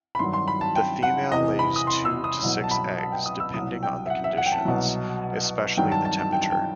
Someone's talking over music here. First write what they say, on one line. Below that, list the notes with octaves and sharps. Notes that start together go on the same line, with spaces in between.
The female lays two to six eggs, depending on the conditions, especially the temperature.
B5
G2 D#3 F#3 C6
C6
B5
A5
G5
F#5
E2 C3 E3 D#5
B5
D#6
C6
E6
D#6
C2 B2 F#3
A5
B5
A5
G5
D#6
E6
C2 B2 F#3 D#6
G5
E5
F#5
E5
F#5
G5
A5
C2 B2 F#3
G2 D#3 F#3 G5
A5
A5
A5
G5
A5
G5